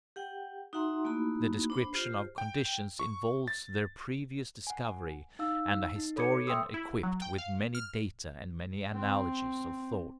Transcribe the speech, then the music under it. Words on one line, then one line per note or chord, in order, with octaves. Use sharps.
The description of conditions involves their previous discovery and a historian equipped with many data and many analogies of thought.
G4 F#5 G5
D#4 F#4 E5 F#5 A#5 C6
A3 A#3 D#4 E4 F#4 B5
D4 C5 B5
F4 G4 C5
G5
C#6
A6
F#5 G#5
D#4 F5 E6
D#4
A4 C#5 B5 D6 G#6 C#7
E5 G5 C6 D#6 E6
E4
F#3
G5
F5
F6
C4